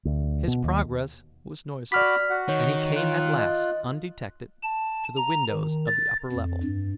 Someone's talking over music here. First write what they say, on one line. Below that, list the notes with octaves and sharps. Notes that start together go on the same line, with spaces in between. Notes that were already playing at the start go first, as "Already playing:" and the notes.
His progress was noiseless and he came at last, undetected, to the windows of the upper level.
D2
B2
D#2
F#4 D5 B5 D6 F6 B6
F#4 F#5
D#3 C#5
F4 F#6
D#5
A5
A#5
D#3
A6
F2
G2